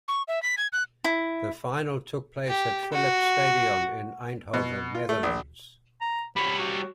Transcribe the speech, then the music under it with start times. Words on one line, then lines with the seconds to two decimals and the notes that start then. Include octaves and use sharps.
The final took place at Philips Stadion, in Eindhoven, Netherlands.
0.08 C#6
0.28 E5
0.43 B6
0.58 G#6
0.73 F#6
1.04 E4
2.47 G4
2.92 F#4
4.54 B2
4.95 F4
5.09 A3
5.23 A#1
6.01 A#5
6.36 G3 C#5 B5
6.59 F#4